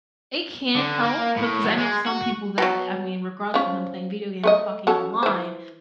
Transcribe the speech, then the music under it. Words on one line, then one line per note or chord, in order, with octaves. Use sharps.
It can help, because I know some people that I mean, regardless of them playing video games and talking online,
D3
A#3
A2
F#3
G#3
F#4
B2 F#3
F3 C#4
A3 B4 D#5
F#3 C#4 A4
E3 C5